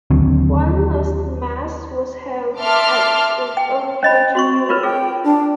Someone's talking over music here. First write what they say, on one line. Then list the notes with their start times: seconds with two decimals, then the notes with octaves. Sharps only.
One last Mass was held at the old church building.
0.11 D#2 D3 F#3 C4
2.60 E5 A5 C6 D6 F6
3.57 G5
4.03 C#4 D#5 B5
4.35 C4 F#4 C6 C#6
4.69 F4 A#4 B4 C#5
4.83 F4 G#4 G5
5.24 D4